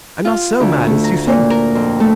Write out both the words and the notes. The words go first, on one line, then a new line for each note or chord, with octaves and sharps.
I'm not so mad as you think.
F4
D2
A3
A#5
A#2
A#4
F2
A3